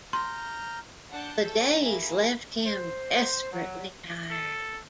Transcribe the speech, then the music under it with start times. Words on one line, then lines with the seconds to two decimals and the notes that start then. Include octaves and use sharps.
The days left him desperately tired.
0.13 A#5 C6 F6 G6
1.11 D4 F#5 A5 G6
1.42 A4 C#5
1.80 A#3 E4 G#4 A#4
2.66 C5
3.52 F#3
4.30 A4